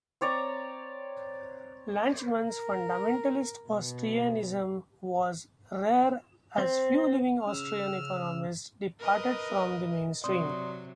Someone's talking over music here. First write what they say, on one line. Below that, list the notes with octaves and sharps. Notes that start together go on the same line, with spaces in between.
Lachmann's "fundamentalist Austrianism" was rare as few living Austrian economists departed from the mainstream.
C4 C#5 D5 A#5
A#4
B2
C4
C#3 E6 F6
A#4 B4 D#5
C3 F#3 D5 C6 D#6